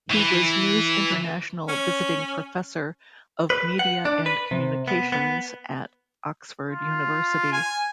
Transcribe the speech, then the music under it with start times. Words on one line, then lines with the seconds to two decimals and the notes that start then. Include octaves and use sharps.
He was News International Visiting Professor of Media and Communications at Oxford University.
0.11 E3
1.68 C#4
3.50 B4
3.79 F#5
4.05 D4
4.26 B4
4.51 C3
4.88 B3
5.12 B3
6.70 F4
7.52 G#5